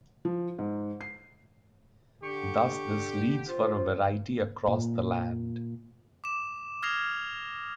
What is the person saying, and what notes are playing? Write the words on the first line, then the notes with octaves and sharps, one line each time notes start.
Thus, this leads for a variety across the land.
F3
G#2
C7
D3 G4 C#6
F4 C5
A#2
D6 E7
D#6 F6 G#6 A#6 C7 F7